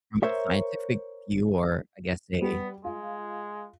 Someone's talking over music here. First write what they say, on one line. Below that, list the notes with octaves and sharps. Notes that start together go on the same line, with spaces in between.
From a scientific view, or I guess a
A#4 C5 C#5 E5
G3 B3
G#3 F4